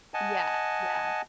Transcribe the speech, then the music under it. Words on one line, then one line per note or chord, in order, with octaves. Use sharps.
Yeah, yeah.
D#5 F#5 G#5 A5